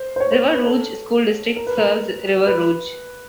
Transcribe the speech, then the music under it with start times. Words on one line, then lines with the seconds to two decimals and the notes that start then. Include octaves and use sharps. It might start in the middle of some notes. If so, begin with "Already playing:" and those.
River Rouge School District serves River Rouge.
Already playing: C5
0.16 C5
0.20 C#5
0.32 C5
0.43 C5
0.54 B4
0.66 A4
1.56 A#4
1.67 B4
1.77 A#4
2.47 B4